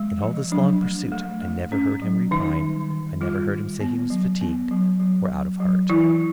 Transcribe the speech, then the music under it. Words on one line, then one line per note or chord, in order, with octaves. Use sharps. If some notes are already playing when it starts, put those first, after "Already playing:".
In all this long pursuit, I never heard him repine; I never heard him say he was fatigued, or out of heart.
Already playing: G#3
F3
F#3 D4
A3
A3
A3
C#4
F#3
D#3 D#4
G3
D#3
G3 F4
D#3
B3
F#3
B3
F#3
F#3
F#3
F#3
E3 E4